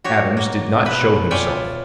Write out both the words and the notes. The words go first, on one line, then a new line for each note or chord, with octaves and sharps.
Adams did not show himself.
F#4 G4 C#5
A#3
B2 B4
F4 C#5 D5 E5 G5 G#5